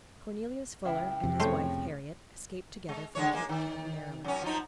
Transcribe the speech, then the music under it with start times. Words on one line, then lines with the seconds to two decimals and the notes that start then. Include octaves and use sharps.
Cornelius Fuller, and his wife, Harriet, escaped together from Kent county, Maryland.
0.85 C#2 E4 E5 G5
1.24 F2 C3
1.40 A2 C#3 A3 C5 C#5
2.89 G#3
3.15 D3 G#3 C#5
3.33 G#3 A#3
3.49 D#3
4.24 F#2 C#4
4.42 F3 F#3 D#4